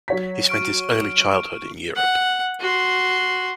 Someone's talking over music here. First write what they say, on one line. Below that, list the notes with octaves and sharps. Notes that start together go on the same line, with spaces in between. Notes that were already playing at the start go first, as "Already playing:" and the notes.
He spent his early childhood in Europe.
F#3 C#5 B6
C#6 F6 D7
F#5
F#4 C6